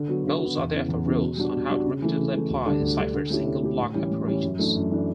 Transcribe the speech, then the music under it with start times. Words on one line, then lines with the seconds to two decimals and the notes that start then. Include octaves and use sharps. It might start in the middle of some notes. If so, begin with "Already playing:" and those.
Modes are therefore rules on how to repeatedly apply the ciphers' single-block operations.
Already playing: D3
0.08 F#3 B3
0.24 D3
0.41 F#3 B3
0.57 E2
0.73 C#3 E3 B3
0.89 E2
1.05 C#3 E3 B3
1.21 B2
1.37 G3 D4 F#4
1.53 B2
1.69 G3 D4 F#4
1.85 C#3
2.02 E3 A3
2.18 C#3
2.33 E3 A3
2.50 D2
2.66 D3 G3 D4 A4
2.81 D2
2.97 D3 G3 D4 A4
3.14 D3
3.30 A3 C#4 E4 G4
3.47 D3
3.63 A3 C#4 E4 G4
3.78 A2
3.94 E3 G3 C#4
4.11 A2
4.27 E3 G3 C#4
4.43 F#2
4.59 E3 A3 D4
4.75 F#2
4.91 E3 A3 D4